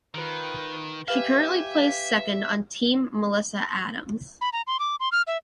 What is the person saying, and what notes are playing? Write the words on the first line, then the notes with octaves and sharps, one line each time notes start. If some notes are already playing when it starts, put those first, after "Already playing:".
She currently plays second on Team Melissa Adams.
D#3 F4 B4
G4 B4 E5 F5 G#5
B5
A#5
C6
D6
C6
F6
E5